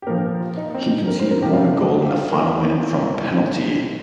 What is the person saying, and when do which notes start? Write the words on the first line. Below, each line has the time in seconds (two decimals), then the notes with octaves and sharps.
He conceded one goal in the final minute from a penalty.
0.02 G4
0.07 A#2 F3 A#4
0.40 F4
0.57 D#4
0.74 C4
0.91 D#4
1.07 A#4
1.20 C5
1.31 A#4
1.42 C3 F3 G4
1.53 F4
1.76 D#4
2.01 G4
2.09 F4
2.20 G4
2.31 A#4